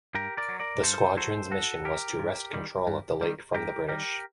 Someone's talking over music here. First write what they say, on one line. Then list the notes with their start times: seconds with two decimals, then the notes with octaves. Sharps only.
The squadron's mission was to wrest control of the lake from the British.
0.15 G2 G4 A#4
0.37 A#4 D5
0.49 F#3
0.60 A#4 D5
0.83 G2 A4 C5
1.17 F#3 A4 C5
1.51 G2 F#4 A4
1.85 F#3 G4 A#4
2.19 G2
2.53 D#3 G3
2.87 G2
3.21 D#3 G3
3.54 G2 G4 A#4
3.88 D#3 G3 G4 A#4